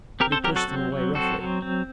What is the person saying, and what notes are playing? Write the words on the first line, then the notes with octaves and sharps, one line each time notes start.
But he pushed them away roughly.
C4 G4 A#4
A4 C5
F#3 G4 A#4
F#4 A4
C4
F#3
C4 F#4 A4
F#3
C4